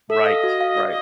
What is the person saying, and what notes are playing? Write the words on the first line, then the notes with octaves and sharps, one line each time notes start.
Right, right.
A4 E5
D#5 F5
F#4
F5
D5